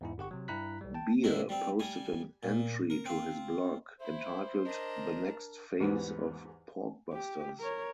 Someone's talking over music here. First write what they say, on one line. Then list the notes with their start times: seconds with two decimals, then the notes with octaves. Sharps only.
Bear posted an entry to his blog entitled The Next Phase of Porkbusters.
0.01 E2 G#2 E4
0.18 G1 G4 F#5 C#6
0.31 C3 F#3
0.48 G2 E4 A#5 B5 F#6 B6
0.81 B1 G3
0.94 G5 A5
1.24 A2 G#3 D4 E4
1.49 G3 C4
1.79 G3 G#5
2.43 A#2
2.90 A#4
3.05 C4 F4
4.00 E4 C5 E5
4.65 D4 A#4 D#5 A#5
5.80 E2 G#2 G3 B3
7.12 G4
7.59 A#4 C#5